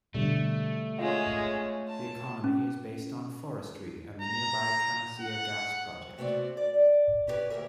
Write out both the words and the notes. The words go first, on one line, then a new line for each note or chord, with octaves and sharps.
The economy is based on forestry and the nearby Camisea Gas Project.
B2 D3 G3 A3
G#3 C#4 F4 G#4 C6
A5
C#4
A#5
F#5
F2
C3 A3 B3 C4 F#4 D5
D5
C#4 E4 G4 A4 B4 D5
D2 G2 A#2 A#4 E5